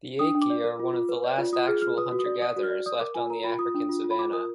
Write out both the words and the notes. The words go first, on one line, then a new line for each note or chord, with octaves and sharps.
The Akie are one of the last actual hunter-gatherers left on the African savanna.
D4 D#6
D4
D6
D5
A#4
F4
F4
B4
D5
F4
F4 D#6
G#4 F6
F4 F6
B4 D#6
F#4
D#6
D5
D5 D#6
F#4
F6
D5
D5 D#6
A#4 D6
F4 G#5
A#4 A#5
F4 B5
F4 D#6
D4
F4
F4
B5
F4 D6
A#4 D#6